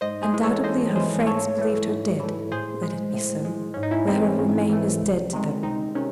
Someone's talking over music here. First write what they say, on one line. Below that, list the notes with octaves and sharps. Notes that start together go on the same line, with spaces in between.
Undoubtedly her friends believed her dead--let it be so--let her remain as dead to them.
G#2 C5 D#5
G#4 C5
E3 G#3
A4 C#5
G#2 C5 D#5
E3 G#3 G#4 C5
G#2 A4 C#5
E3 A3
G#2
E3 A3
A2 G#4 C5
G#3
A2
G#3
G#2 C#4
D#4
C#4 E4
E3 A3 C4 D#4
C#4
G#2 C#4
E3 A3
C2
C3 D#3 G#3
C2 C4 D#4
C3 D#3 C#4